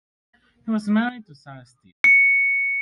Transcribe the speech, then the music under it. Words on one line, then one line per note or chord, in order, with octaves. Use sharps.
He was married to Sarah Still.
C#7